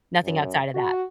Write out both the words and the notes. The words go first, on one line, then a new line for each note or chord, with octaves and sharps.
nothing outside of that.
F#2
F#4